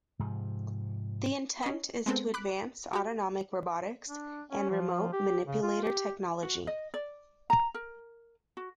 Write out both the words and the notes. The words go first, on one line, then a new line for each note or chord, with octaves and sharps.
The intent is to advance autonomic robotics and remote manipulator technology.
G#2 C3 F3
C#4 D#5
G#3 B3 C4 A4
B5 D6 F#6
F#4 G4
D4
C#4
F3
G4
C#3
F4
G4
F#4
D#5
D5
A#5
A#4
F#4